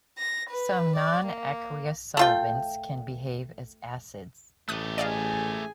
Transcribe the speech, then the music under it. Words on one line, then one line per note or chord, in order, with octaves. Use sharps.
Some non-aqueous solvents can behave as acids.
A#6
B4
D5
A#3
A3 F4 G5
A1 A3 G4 D#6 F#6
G#4 D5 D#5 F5 G#5